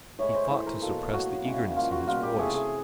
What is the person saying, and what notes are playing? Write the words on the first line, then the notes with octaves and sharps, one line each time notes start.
He fought to suppress the eagerness in his voice.
A2 E3 G#3 C#5
C5
A2 E3 A3 C5
A#4
B2 F#3 A#3 A4
A2 F#3 A#3 F#4
C#3 E3 G#3
A#2 F3 A#3 F4
F#4
B2 G3 A#3 F4
G4
C3 E3 A3 G#4
G#4